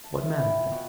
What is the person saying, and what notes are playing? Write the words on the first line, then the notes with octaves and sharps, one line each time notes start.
What mattered that?
A5
E4
E4
G5
F3
B2